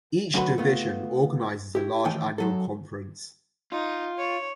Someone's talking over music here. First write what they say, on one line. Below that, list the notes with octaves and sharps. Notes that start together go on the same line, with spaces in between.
Each division organises a large annual conference.
F#2 D3 A3 D#4 F#4 B4
A3 B3 F4
E4 G4
A2 D#3 E3 A3 G5 G#5
F#2 F#3 A4
D#4 F4
C#5